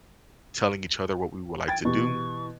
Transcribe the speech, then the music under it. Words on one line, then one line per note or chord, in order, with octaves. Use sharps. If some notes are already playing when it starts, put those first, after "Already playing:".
telling each other what we would like to do
G5 G#6 A6
B2 E3 G4 C#6